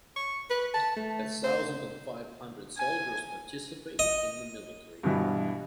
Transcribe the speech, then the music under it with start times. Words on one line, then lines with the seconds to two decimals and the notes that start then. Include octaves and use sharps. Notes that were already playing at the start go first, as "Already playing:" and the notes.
A thousand and five hundred soldiers participated in the military drill.
0.16 C#6
0.50 B4
0.74 A5
0.97 A3
1.44 C5
2.77 G#5
3.99 D#5
5.03 G2 B2 E3